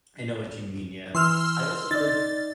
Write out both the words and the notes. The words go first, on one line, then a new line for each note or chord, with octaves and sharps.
I know what you mean, yeah. I also think
E3 C6 E6 F6
D#4 D5 A6